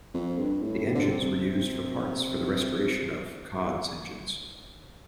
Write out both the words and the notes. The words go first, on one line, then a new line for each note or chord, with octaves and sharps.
The engines were used for parts for the restoration of "Cod"'s engines.
F2
G2
A2
C3
D3
C3